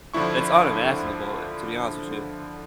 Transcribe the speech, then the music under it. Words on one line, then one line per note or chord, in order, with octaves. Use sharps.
it's unimaginable, to be honest with you.
D3 F3 D4 E4 C#6